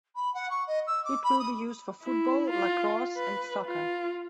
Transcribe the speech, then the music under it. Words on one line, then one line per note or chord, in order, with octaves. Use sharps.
It will be used for football, lacrosse and soccer.
B5
F#5
C#6
D#5
E6
D6
B5
D#6
E4
F4
B4
F4